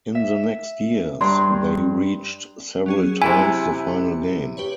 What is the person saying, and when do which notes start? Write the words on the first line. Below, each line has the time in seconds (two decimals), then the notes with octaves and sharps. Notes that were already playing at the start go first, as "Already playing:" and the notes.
In the next years, they reached several times the final game.
0.15 E5
1.21 G2 A#5 C6
2.86 F#3 C#4 G#4
3.22 C3 E4 G#5 F#6 C#7
4.57 G4 B4 C#5